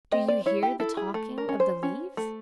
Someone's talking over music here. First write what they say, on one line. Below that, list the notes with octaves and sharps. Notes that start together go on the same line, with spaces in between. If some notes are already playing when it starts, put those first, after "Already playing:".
Do you hear the talking of the leaves?...
C4 D#5
D5
E4 C#5
G4
E4 A4
G#4
A3
A#4
C#4
C5
C#4
A3